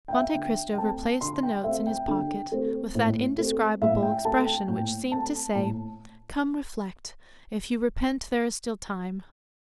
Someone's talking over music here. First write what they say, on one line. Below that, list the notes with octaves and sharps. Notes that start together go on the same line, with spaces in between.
Monte Cristo replaced the notes in his pocket with that indescribable expression which seemed to say, "Come, reflect; if you repent there is still time."
G5
E5
D3 G5
G5
A3 C4 A5
D3 C6
G5
A3 C4 E5
G5
D3
A3 C4
A2
A3 C4
A2 E5
G5
A3 C4 A5
G5
A2 G5
A3 C4 A5
A2 A5